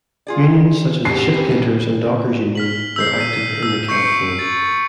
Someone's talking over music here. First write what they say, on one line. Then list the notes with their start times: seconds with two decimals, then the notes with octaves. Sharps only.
Unions such as the Ship Painters and Dockers Union were active in the campaign.
0.27 F4 G#4 D5
1.05 C3 F#3 C#4 D4 G4 C7
1.34 B4
2.55 F6 B6 F#7
2.96 E6 G6 C7
3.20 D#7
3.63 E6
3.89 C#6 G6 C7 C#7
4.39 A6